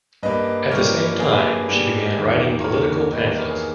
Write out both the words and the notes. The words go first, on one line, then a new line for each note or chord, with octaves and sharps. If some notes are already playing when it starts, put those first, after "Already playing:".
At the same time, she began writing political pamphlets.
G2 G3 A#3 B4 D#5
G2 G3 A#3 A#4 C#5
G2 G3 A#3 G#4 B4
G2 G3 A#3
E2 D#3 G3 A#3
E2 D#3 G3 A#3 A#4 C#5
E2 D#3 G3 A#3 B4 D#5
A#4 C#5
G#4